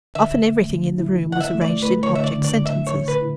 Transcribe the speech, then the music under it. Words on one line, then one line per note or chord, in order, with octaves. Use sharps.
Often everything in the room was arranged in object sentences.
D3 E5
A3
D3
E4
E4
F#5
E5
A3
D5
A3 B4
C#5
D3
E5
D5
D3
D5
D3 E5
C#5
D3
B4
E4